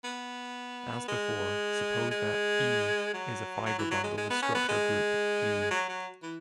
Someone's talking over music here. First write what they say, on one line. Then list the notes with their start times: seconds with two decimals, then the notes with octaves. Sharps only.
As before, suppose that "E" is a fibre bundle with structure group "G".
0.04 B3
1.08 G#3
2.11 G#3
3.14 F#3
3.66 F#3
3.79 E3
3.91 F#3
4.04 G#3
4.17 G#3
4.30 B3
4.42 C#4
4.55 B3
4.68 G#3
5.71 F#3
5.89 F#3
6.22 E3